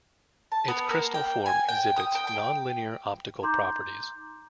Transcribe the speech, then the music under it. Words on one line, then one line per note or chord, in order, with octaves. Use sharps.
Its crystal form exhibits nonlinear optical properties.
A5
B3
A#3
G5
G#5
G5
D#6
G5
G5
D#4 A#5 C6 D6 G6